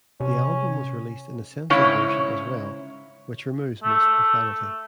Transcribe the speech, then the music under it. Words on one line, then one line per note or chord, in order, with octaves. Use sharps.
The album was released in a censored version as well which removes most profanity.
C3 C#4
G#2 C#3 C#4 E4 C#5
A3